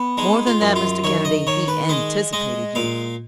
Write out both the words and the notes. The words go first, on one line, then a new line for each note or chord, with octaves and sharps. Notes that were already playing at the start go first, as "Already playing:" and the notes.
More than that, Mr. Kennedy, he anticipated you.
Already playing: B3
G#3 D#4
F4
F#2
F4
D#3 C#5
D#5
D#3 C#5
B4
G#3 D#5
G#3 D#5
A#2 F5